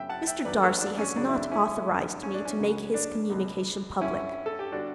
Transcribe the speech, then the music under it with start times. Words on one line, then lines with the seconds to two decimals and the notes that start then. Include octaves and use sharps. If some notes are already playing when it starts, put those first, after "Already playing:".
Mr. Darcy has not authorised me to make his communication public.
Already playing: F#2 C#3 F#3 E5 G5
0.09 F#5 A5
0.27 E5 G5
0.45 A1 G2 F#3 B4 D5
0.63 A4 C#5
0.81 D4
0.98 C#4
1.16 C#2 C#3 F#3 D4
1.29 E4
1.34 D4
1.52 C#4 E4
1.87 G2 D3 F#3
2.23 C#4
2.34 D4
2.45 C#4
2.59 C#2 C#3 F#3
2.94 D4
3.30 C#2 B2 F#3
4.01 G2 D3 G3 C#4 E4
4.46 A4
4.59 G4
4.72 D3 G3 D4 F#4